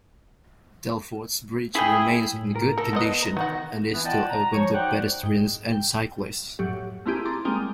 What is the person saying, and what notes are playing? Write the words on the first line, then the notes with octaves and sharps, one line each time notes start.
Telford's bridge remains in good condition, and is still open to pedestrians and cyclists.
E4 G#4 G5
A2
A#4
A4 A#4 A#6
F3 B3 C#5 D#5
A#5
D#3 B3 D#4 F#4
E3 B3 D4 E4
F4 D5 D#5 F#5 G5 A5
A#5
F3 C#5 C#6
D#4 F#4 C5 D5 F#5 G5
G#2 G5
G5
F#2 A2 F#3 G4
A3 A#3 C4 E4 G4 G#4
A#5 C6 D6 A6
G3 G#3 A#3 C4